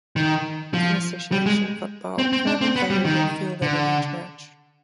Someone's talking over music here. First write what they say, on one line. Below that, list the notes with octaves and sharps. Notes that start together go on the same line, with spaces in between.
In association football, eleven players are fielded in each match.
D#3
F3
G3
G#3
C4
C4
D4
C4
B3
G3
D#3
D3